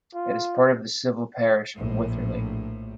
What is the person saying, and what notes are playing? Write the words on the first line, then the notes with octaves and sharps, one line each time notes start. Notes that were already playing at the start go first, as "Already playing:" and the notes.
It is part of the civil parish of Witherley.
F4
A#1 A2